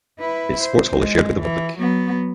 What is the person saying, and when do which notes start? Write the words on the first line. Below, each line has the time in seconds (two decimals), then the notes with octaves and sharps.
Its sports hall is shared with the public.
0.20 E4 B4
0.61 C5
0.95 G#3
1.43 E3
1.78 F#3 B3